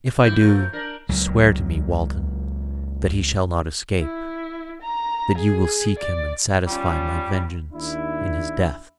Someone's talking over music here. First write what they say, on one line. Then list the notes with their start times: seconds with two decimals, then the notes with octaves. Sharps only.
If I do, swear to me, Walton, that he shall not escape, that you will seek him and satisfy my vengeance in his death.
0.24 E2 G#2 E4 G6
0.40 F3 A3 A#4
0.73 D4 A#4
1.09 C#2 A#2 F#3
3.99 E4
4.82 A#5
5.38 G#4
5.99 D5
6.67 G3 C#4 F4
7.73 D#2 D4 E4